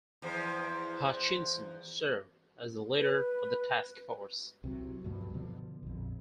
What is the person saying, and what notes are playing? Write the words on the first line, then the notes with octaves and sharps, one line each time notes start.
Hutchinson served as the leader of the task force.
E2 F3
B4
C2 C3 F#3
D2 G2 B2 F3
B2 D3 F3 B3
A#1 F2